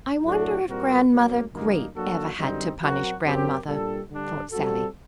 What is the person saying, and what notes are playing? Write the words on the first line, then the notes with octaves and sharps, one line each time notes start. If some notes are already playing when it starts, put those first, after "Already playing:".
"I wonder if Grandmother Great ever had to punish grandmother," thought Sallie.
A2 F#3 A3 D4 F#4
A#2 G3 C4 F#4 A#4
F#2 F#3 A#3
F#2 D3 G3 A#3 D#4
F#3 A#3 D4 F#4 A4
F#2 D3 G3 C4 D#4
F#3 C4 F#4 A#4
F#2 F#3 C4 G4 A#4
A#2 G3 D4 A4
D3 G3 D4
G3 C4 F#4 A4